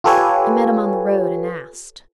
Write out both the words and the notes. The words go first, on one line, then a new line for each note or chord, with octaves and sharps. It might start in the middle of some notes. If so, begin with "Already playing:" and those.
I met him on the road and asked.'
F4 G4 A4 B4 C#5 G#5